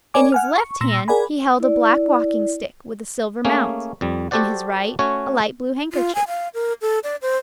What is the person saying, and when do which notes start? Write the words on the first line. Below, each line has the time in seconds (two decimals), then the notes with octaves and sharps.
In his left hand he held a black walking-stick with a silver mount, in his right a light blue handkerchief.
0.14 A#4 C#5 D5 G#5 D6
0.32 F#5 G#5 F6
0.56 C#6
0.81 A#2 C6 E6 A#6
1.08 G#4 A#4 D5 F#5 G#5 B5
1.60 E4 D5
3.45 A3 A#3 C#4 G#4
4.01 F2 G3
4.31 F#4 G4 A4 C5 D5 F#5
4.99 A3 C#4 F#4 C#5
5.93 F4
6.15 G#5
6.28 F5
6.54 A#4
6.81 A4
7.04 D5
7.22 C5